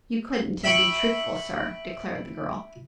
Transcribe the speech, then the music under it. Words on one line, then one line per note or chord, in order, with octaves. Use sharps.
"You couldn't, and be truthful, sir," declared the girl.
E5 G5 B5 C#6